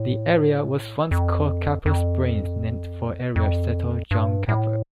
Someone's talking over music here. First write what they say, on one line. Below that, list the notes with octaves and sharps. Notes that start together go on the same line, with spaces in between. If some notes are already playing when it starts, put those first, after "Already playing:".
The area was once called Capper Springs, named for area settler John Capper.
Already playing: A2
F2
F2
F2
G2
A2